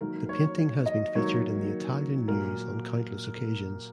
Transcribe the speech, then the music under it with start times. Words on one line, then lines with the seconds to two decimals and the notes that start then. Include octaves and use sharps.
The painting has been featured in the Italian news on countless occasions.
0.01 D#3 F#3 A#3 A#4
0.26 A#4
0.29 C#5
0.58 C#5
0.86 D#5
1.15 D#3 F#3 A#3 C#5
2.28 A#2 F#3 A#3 A#4